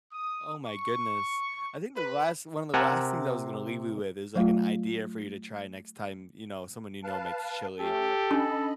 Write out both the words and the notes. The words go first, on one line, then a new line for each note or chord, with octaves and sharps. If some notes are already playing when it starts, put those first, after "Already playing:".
Oh my goodness. I think the last one of the last things I was gonna leave you with is, like, an idea for you to try next time, you know, someone you know makes chili,
D#6
C#6
B4
C3 A#4 F#5 G#5 A5
F#3 A3 F4
B4 F5 A5
A3 C#4 G4 A4
C#4 D4 D#5 B5